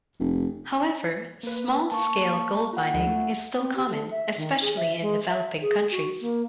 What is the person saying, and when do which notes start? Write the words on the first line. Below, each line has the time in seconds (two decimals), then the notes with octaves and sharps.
However, small-scale gold mining is still common, especially in developing countries.
0.20 F1
1.43 A#3 B4
1.92 A#3 A5 C#6
2.73 F4 F#5
2.94 D2 F3 G#3
3.07 A3
3.57 C4
3.75 G4
3.88 A3
4.11 E5
4.37 D#3
4.61 G#4
4.76 E5
5.02 G#3
5.29 E5
5.62 G#4
5.91 F#4
6.21 A#3